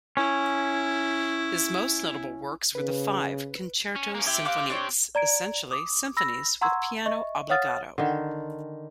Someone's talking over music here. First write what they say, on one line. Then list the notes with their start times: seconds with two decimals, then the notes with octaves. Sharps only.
His most notable works were the five "concertos symphoniques", essentially symphonies with piano obbligato.
0.17 C#4 E4
2.75 C#3 B4
3.96 C#4
4.15 A#3 C#4
4.27 C4 E4 G4
4.45 F5 D6 F#6
4.70 D4 C5 C#5
5.15 D5 A#5 G#6 D7
5.71 D6 D#6
6.17 B5 E6 A#6
6.61 F#5 A#5 C6 C#6 E6 G#6
7.06 D#5 E5 C#6
7.50 C#5 F5 F#5 D#6 F6 A6
7.98 D3 D#3